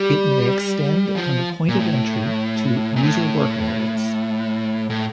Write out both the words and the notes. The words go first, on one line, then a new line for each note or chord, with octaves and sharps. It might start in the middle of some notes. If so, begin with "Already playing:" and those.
It may extend from the point-of-entry to user work areas.
Already playing: G3
F3
A#2
A2
A#2
A2
A2